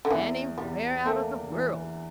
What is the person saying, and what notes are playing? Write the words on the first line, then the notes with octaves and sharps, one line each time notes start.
"Anywhere out of the world."
D3
E2 E3
E2 G3
A3 A#3
E3